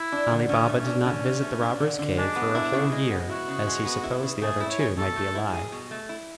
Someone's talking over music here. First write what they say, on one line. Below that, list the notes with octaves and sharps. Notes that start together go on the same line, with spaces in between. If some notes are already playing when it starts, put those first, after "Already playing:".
Ali Baba did not visit the robbers' cave for a whole year, as he supposed the other two might be alive.
Already playing: E4
D4
D3
D3 C#4
A3
C#4
D4
D3 C#4
D3
A3
D4
D3
D3
G#3 D4
B3
E4
C#3
G#3
B3
E4 F#4
C#3
G#3
B3
E4
C#3
A3 G#4
E4
C#5
G#4
B2 A4
A3
E4
G#4
B2
A3
E4